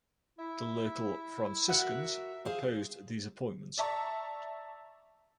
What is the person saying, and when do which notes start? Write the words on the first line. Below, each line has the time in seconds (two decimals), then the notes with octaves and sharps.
The local Franciscans opposed these appointments.
0.39 E4 E5
1.69 F#4 A#4 E5 F#5
2.45 G#4 C5 F5
3.78 D5 E5 A5 A#5 C#6